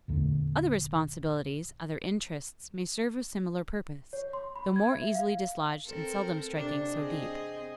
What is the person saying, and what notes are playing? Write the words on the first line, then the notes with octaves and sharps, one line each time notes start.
Other responsibilities, other interests, may serve a similar purpose, though more easily dislodged and seldom striking so deep.
A#1 E2 D3 A3
C#5
C6
B5
G#6
E5
F5
C4 A4 A#4
C3 D4
C4 G#4 D#5